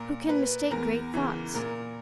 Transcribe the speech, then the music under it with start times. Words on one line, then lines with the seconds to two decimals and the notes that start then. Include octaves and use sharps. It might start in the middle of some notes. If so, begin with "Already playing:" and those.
"Who can mistake great thoughts?"
Already playing: A#2 A#4
0.29 B4
0.71 E2 A#4
1.14 C#3 E3
1.54 A#2 A#4